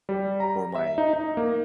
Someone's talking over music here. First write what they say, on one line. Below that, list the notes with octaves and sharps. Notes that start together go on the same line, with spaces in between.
or my
G3
A#5
E5
D#4
D#4
A#3